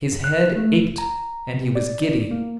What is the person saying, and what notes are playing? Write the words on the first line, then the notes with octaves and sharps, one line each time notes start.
His head ached and he was giddy.
F#2
F#6
A3
C2
A#5
C3
D5
A#3